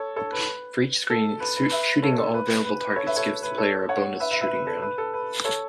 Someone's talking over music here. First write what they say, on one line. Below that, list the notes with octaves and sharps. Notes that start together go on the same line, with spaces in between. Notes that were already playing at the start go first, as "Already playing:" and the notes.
For each screen, shooting all available targets gives the player a bonus shooting round.
Already playing: A4 C#5
A4 C#5
B4
A4
B4
B4
B4 E5
A4 C#5
A4
B4
B4
B4
A4 C#5
B4 E5
A4 C#5
B4
A4 C#5
C#5 F#5
B4 E5
B4 E5
B4 E5
B4
A4
B4
A4
B4
A4 C#5